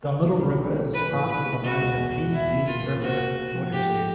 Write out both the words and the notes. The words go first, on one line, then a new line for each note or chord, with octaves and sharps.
The Little River is part of the larger Pee Dee River watershed.
B1
G3
D3
D3
E3 B4
A2
C#3 B4
C#3
B2 F#4
C#2
E2
B2
E2 E4
E2
A#3 F4
A#3
C#3 F#4
A#3
A#3
F3
G#2 G4
A3